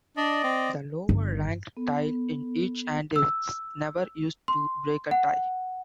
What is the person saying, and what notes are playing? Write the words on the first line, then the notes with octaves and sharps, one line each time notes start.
The lower-ranked tile in each hand is never used to break a tie.
D4 D5 D#5
C4
G1
B3 A4
E6
C6
F#5